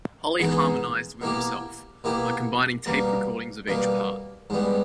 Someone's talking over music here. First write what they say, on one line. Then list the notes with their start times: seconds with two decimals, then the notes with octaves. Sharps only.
Holly harmonized with himself, by combining tape recordings of each part.
0.39 G#2 E3 G#3 B3 D#4
1.21 B2 A#3 E4 G4
2.04 B2 A#3 E4 G4
2.86 B2 G3 A#3
3.68 B2 G3 A#3
4.50 G#2 G3 B3